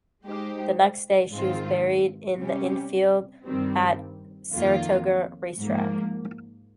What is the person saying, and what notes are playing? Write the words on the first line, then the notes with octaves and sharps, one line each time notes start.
The next day, she was buried in the infield at Saratoga racetrack.
G#3 D#4 G4 C5
G#2 D#3 G#3 C4 F4
C3 G3 C#4 G4
G2 D#3 G3 C4
F2 D#3 A#3 F4
G#2 F3 A#3